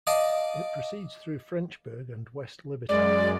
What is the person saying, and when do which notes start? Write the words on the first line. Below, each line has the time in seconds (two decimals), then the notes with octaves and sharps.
It proceeds through Frenchburg and West Liberty.
0.07 D5 D#5 F5 A5 D6 D#6
2.89 F#2 G#3 D5